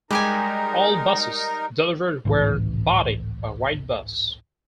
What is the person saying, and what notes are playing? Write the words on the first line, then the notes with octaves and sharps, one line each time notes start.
All buses delivered were bodied by Wrightbus.
G3 G#3 D#4 G4 A#4 G#5
G#1 C#2 A2 E3